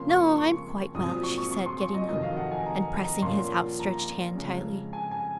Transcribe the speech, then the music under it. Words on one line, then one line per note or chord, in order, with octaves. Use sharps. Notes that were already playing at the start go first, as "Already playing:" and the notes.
"No, I'm quite well," she said, getting up and pressing his outstretched hand tightly.
Already playing: F2 C#3 F3 A#3 C#4 C6
C#6
C#6
A#1 A#2 F#3 C4 D#6
D#6
C#6
C#6
C#6
C6
C#6
D#5
F1 F2 D#3 F#3 D#5
F5
F#5
G#5
A#5
A#5
A#1 A#2 F3 A#3 C#4 C6
A#5
F2 C#3 G#3 C#4
G#5
G#5